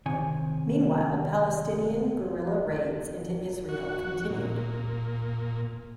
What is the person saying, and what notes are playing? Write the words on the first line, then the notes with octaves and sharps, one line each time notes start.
Meanwhile, Palestinian guerilla raids into Israel continued.
C3 D#3 C#5 G#5
F#4
A#2